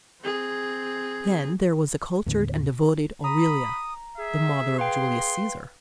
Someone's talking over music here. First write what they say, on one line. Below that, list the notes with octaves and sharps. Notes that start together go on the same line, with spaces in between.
Then there was the cultured and devoted Aurelia, the mother of Julius Caesar.
C4 G#4
D#2 A2 D3 B3
A#5 B5 D#6
G#4 E5
B4 F5 G5 C6